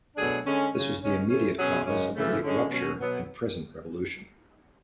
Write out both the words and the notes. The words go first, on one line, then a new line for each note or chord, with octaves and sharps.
This was the immediate cause of the late rupture and present revolution.
B2 F#3 A3 D4 G#4
D3 G#3 C#4
C#3 F#3 C#4
C#3 G#3 C#4
E3 A3 C#4
B2 F#3 C#4 G#4
F#2 C#3 G#3 C#4
F#2 C#3 E3 A3
D3 G#3 C#4
B2 F#3 C#4
B2 F#3 B3